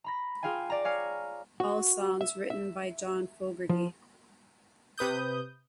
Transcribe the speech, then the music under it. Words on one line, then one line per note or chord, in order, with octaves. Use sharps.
All songs written by John Fogerty.
A#5 B5 A#6
F4 G#4 F5 G5 G#5
D5 A#5
C#5 F5 G#5 F6
F#4
E5
E5
F3
C3 B4 D#6 G6